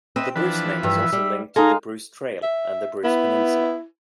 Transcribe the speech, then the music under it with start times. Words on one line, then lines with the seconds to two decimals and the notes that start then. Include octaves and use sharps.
The Bruce name is also linked to the Bruce Trail and the Bruce Peninsula.
0.16 C4 B4 D#5 E5
0.36 E3 F3 D4 B4
0.83 G2 E5
1.12 G3
1.56 G#3 D#4 A4 F5 G#5 A#5
2.43 E5
3.04 B3 E4